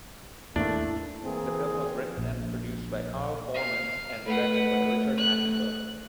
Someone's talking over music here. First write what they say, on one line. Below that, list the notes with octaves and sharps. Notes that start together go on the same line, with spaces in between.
The film was written and produced by Carl Foreman and directed by Richard Attenborough.
D#2 G#2 A3 A#3 D4 E4
E3 A#3 C4 G#4
A#1
F5
A3 B4 F#5
F#6